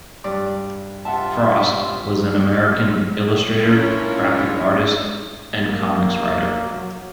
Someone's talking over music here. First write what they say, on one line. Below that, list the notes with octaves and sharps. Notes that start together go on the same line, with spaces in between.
Frost, was an American illustrator, graphic artist and comics writer.
G2 D5
C3 F4 E5 F#5 A5
C#4 D4 E4 F4 A#4 C#5
A#3
F#3